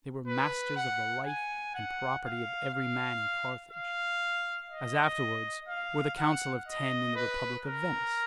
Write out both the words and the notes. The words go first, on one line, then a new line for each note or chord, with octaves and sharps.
They were masters of the life and property of every man in Carthage, as afterwards were the council of ten in the republic of Venice.
B4
F#5
G#5
F#5
F5
F5
F5
D#5
F5
F#5
D#5
B4
A#4